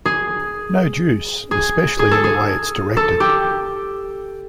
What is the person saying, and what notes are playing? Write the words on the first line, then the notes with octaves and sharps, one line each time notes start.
No juice, especially in the way it's directed.
G#4
G#4
G#4
A4
G#4
A4
G4